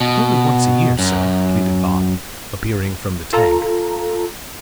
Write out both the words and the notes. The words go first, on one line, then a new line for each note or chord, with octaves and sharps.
"It's only once a year, sir," pleaded Bob, appearing from the Tank.
B2
F#2
F4 A4 A#5